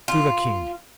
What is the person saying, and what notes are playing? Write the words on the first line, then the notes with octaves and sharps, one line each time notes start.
"To the king."
F4